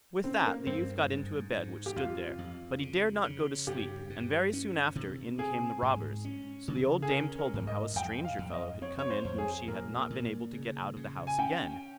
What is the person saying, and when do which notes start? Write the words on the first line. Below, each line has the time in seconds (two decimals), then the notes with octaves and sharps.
With that the youth got into a bed which stood there, but he dared not go to sleep, and very soon after in came the robbers; so the old dame told them how a stranger fellow had come in whom she had not been able to get out of the house again.
0.24 C4 C#4
0.46 A#3
0.67 G2 C4
1.10 G#2
1.52 G#2
1.86 G4
1.96 F2 F4
2.38 F2
2.81 C#3
3.24 C#3
3.67 G2 G4
4.10 G2
4.53 C#4
4.95 C3
5.38 C4 G#4
5.82 G#2
6.25 C#4
6.68 C#3
7.02 G#4
7.10 C#4 A#4
7.39 A#4
7.54 G#2
7.67 D#5
7.95 F2 G5
8.25 F5
8.38 F2
8.53 D#5
8.82 C4 C#5
8.99 C#5
9.10 C5
9.25 F2
9.38 G#4
9.68 A#2 A#4
10.10 A#2
10.53 C#3
10.97 C#3
11.27 G#5
11.38 C#4 G5